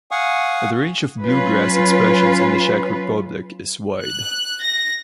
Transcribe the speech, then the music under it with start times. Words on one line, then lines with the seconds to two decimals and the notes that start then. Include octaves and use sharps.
The range of "bluegrass" expressions in the Czech Republic is wide.
0.11 F5 F#5 G#5 C#6 D#6
1.24 F#3 C#4 F4 B4
4.04 F#6
4.62 A#6